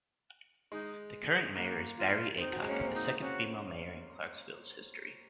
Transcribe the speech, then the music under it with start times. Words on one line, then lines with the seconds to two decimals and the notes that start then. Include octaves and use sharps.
The current mayor is Barrie Aycock, the second female mayor in Clarkesville's history.
0.71 G#3 D#4
1.27 G#4
1.55 A#3 F#4
1.97 F4
2.38 C4 D#4
2.53 F#3
2.62 G#3 C#4
2.71 A#3
2.80 C4
2.94 D#4
3.22 C#4 F#4